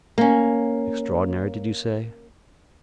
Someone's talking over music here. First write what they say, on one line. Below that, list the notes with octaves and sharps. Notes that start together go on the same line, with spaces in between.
"Extraordinary, did you say?"
A#3 C#4